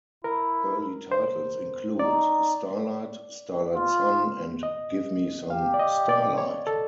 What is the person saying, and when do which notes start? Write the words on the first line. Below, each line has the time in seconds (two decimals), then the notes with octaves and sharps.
Early titles include "Starlight", "Starlight Sun" and "Give Me Some Starlight".
0.24 E4 A#4
1.12 C5
1.99 D#4 D5
3.74 F4
4.63 D#5
5.50 G4 F5
5.74 D5
5.79 D#5
6.09 D5
6.38 C#5
6.67 A4